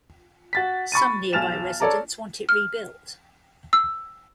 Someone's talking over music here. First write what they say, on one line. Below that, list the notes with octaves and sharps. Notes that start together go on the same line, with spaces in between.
Some nearby residents want it rebuilt.
F#4 A6 B6
B5 C#6 A6 D#7
B1 G#5 F6 A6 E7 F7
A4 C#5 D5 A5 A#5
F6
E6